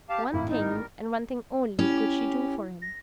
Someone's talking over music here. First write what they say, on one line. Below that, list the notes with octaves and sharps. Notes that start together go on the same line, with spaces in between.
One thing and one thing only could she do for him.
G4 F5 A5
G#1 A2 A#3 E4
G3 C4 D#4
G3 A#4
C#4 E4 G4
A#6